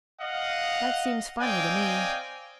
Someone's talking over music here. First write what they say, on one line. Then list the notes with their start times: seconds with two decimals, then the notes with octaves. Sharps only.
That seems funny to me.
0.20 D#5 F5 F#5
1.41 C4 D5 D#5 F5 G5 G#5